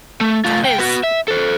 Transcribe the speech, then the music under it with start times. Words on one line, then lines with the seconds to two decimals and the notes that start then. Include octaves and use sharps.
That is
0.21 A3
0.45 A3 F4
0.63 C#2 G5
0.78 B3 F#4
1.03 E5
1.28 A4 C5